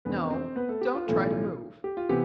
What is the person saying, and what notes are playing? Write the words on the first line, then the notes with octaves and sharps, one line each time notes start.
No, don't try to move.
F1 E2 D3 A3 B3 C4 B4
C4 C5
B3 B4
A3 A4
G4
F4
B1 A2 E3 A3
G4
F4
C3 E3 B3 G4